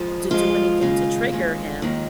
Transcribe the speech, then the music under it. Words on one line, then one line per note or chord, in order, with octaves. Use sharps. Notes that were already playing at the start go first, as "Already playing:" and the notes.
d do anything to trigger him.
Already playing: F2 F3 G#3
F2 F3 G#3 F4
D#2 C#3 G#3
D#2 C#3 G#3
D#2 D#3 G#3